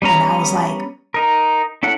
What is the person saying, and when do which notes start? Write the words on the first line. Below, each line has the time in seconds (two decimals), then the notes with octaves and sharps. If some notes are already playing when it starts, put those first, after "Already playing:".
And I was like,
0.02 G3 B3 C#4 A#5
1.14 D#4 A#4
1.83 C#4 E4 A4 F#5